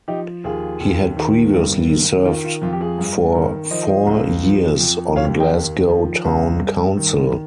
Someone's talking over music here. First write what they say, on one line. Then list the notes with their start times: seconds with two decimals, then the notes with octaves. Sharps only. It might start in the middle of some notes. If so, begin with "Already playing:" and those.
He had previously served for four years on Glasgow Town Council.
0.08 F3 D#4 G4
0.44 D#2 F4 G#4
0.80 D#2
1.17 D#3
1.53 G2
1.89 D#3
2.25 D#3 F4
2.44 F4
2.62 F2 F4
2.73 G4
2.80 F4 G#4
2.99 G2
3.35 D#3
3.70 F3 C5 D#5
4.07 C#2
4.43 F3
4.79 F2
5.16 D#2 C#5 F5
5.40 D#5 G5
5.52 D#3
5.88 F3
6.25 C#2
6.60 G2
6.97 D#3